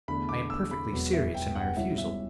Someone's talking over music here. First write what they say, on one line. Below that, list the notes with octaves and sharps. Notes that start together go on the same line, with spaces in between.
I am perfectly serious in my refusal.
E2 D3 A3 D4 B5
D6
E6
B5
E1 E2 B2 F#3 B3
E5
G5
F#5
C#2 B2 G3 C#4 E4 E5
E5